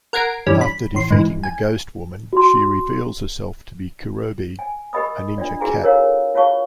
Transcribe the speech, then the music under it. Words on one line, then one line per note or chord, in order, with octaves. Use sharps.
After defeating the Ghost Woman, she reveals herself to be Kurobei, a ninja cat.
A#4 F#5 G#6 A#6 C7 D7
G2 E3 G3 C#4
B5
A1 C6
G#2 E3
G#5
F#4 C6
G#5
G4 A#4 D#5 B5 D#6
D4 F4 D5
E4 F#4 G#4 G#5 A#5
A4 A#4 C#5 F5
F4 C#5 F5 A5 C#6